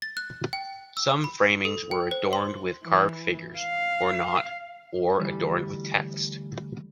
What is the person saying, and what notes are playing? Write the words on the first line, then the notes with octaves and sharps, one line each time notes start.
Some framings were adorned with carved figures or not, or adorned with text.
A6
F#6
G5
E6
B5
A4
G5
C5
C6
E3
F5
D2 E3 G3